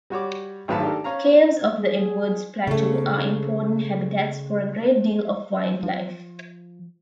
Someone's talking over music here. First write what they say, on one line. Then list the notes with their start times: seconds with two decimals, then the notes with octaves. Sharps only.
Caves of the Edwards Plateau are important habitats for a great deal of wildlife.
0.10 G3 F#4 C#5 D6
0.68 G#1 A2 F#3 B4 F5 A5
0.81 D#3 D4 G4 A4 A#4
1.04 C#4 C#5 F5 A#5
1.78 G#4
2.67 C#3 A3
5.83 F3